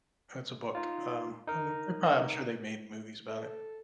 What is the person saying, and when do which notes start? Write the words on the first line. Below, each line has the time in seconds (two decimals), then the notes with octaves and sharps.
it's a book, um um, they they prob I'm sure they've made movies about it.
0.75 D#4 F4
1.48 D#4 A#4
3.27 A4